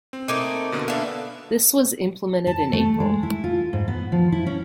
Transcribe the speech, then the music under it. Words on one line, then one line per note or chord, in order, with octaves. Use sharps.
This was implemented in April.
C4
A3 A#3 D#4
B2 D3 A#3
B3 D4 A4 E5 F5
A5
A3
G#3
E4
F4
G#2
B3
F3
E4
C#4